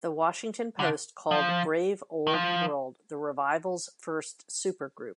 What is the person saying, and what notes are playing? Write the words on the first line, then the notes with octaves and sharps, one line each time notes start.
The Washington Post called Brave Old World the revival's first supergroup.
D3
F3
D#3
F3